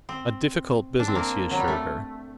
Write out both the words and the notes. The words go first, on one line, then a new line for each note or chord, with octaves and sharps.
"A difficult business," he assured her.
C4
D4
C4
A#3
F#3
G3
A3